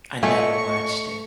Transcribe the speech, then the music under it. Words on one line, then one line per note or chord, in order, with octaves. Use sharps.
I never watched it.
A3 C#4 F4 D#5 G#5 C#6